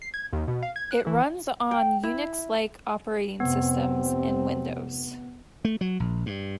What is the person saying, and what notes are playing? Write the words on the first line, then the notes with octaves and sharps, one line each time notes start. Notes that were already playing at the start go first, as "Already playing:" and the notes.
It runs on Unix-like operating systems and Windows.
C7
G#6
D#2
B2
F5
G#6
F#6
E3
G5
E4
F1 C3 B3 C4
A3
F#3
A#1
G2